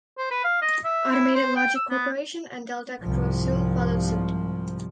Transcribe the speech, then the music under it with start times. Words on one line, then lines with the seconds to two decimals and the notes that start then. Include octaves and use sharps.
Automated Logic Corporation and Delta Controls soon followed suit.
0.18 C5
0.31 B4
0.44 F5
0.62 D#5
0.84 E5
1.12 E4
1.35 C5
1.56 G5
1.75 E6
1.90 B3
3.02 C2 G#2 F3